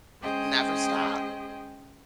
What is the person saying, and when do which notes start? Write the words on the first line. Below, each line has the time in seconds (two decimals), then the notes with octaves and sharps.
Never stop.
0.21 G#3 C#4 G#4 C5 D#5 G5